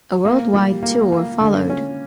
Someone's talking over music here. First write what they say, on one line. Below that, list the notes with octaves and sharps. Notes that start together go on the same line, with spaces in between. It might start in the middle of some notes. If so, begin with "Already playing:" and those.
A worldwide tour followed.
A#3
G3
A#3
A#3
D3
C#4